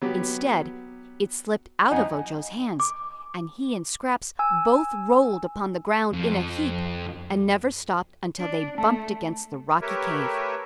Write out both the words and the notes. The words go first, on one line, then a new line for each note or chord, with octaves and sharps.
Instead, it slipped out of Ojo's hands and he and Scraps both rolled upon the ground in a heap and never stopped until they bumped against the rocky cave.
F#3 B3 G4
F2 D#4 D#5 F#5 G#5
D6
G#5 E6
F2
D4
A3 A5
A3 G4 A#4 B4 C#5 E5